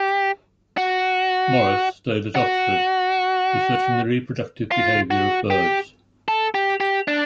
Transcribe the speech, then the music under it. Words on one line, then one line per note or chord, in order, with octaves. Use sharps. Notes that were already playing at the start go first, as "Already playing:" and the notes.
Morris stayed at Oxford, researching the reproductive behaviour of birds.
Already playing: G4
F#4
F#4
F4
F#4
G4
A4
G4
G4
D4